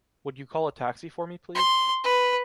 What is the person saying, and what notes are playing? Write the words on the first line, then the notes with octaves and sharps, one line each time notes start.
Would you call a taxi for me, please?
C6
B4